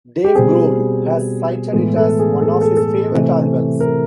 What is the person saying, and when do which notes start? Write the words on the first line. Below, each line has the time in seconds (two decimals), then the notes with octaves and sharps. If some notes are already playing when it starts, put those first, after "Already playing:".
Dave Grohl has cited it as one of his favorite albums.
0.24 G4
0.35 B2 G3 C4 G#4
1.73 A2 E3 G#3 B3 G#4
1.96 A4
2.19 G#4
2.42 A4
2.52 G#4
2.61 A4
2.77 A4
3.11 C3 E3 A3 C4
3.80 A#4